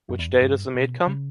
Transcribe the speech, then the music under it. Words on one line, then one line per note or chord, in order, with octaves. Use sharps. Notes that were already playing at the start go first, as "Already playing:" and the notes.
Which day does the maid come?
F#2
E2
F#2
G2
B2
C#3